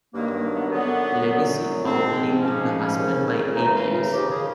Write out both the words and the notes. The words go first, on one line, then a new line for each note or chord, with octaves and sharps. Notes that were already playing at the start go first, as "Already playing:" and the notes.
Levicy outlived her husband by eight years.
G2 D#3 F#3 A#3
A#3
B3
F#2 D3 F#3 B3
F#2 D3 F#3
G#2 F3 C4
G#2 F3 C#4
D#2 C#3 E3
D#2 C#3 E3 D#4
F4
D#4
D#2 C#3 F3 G4
G#4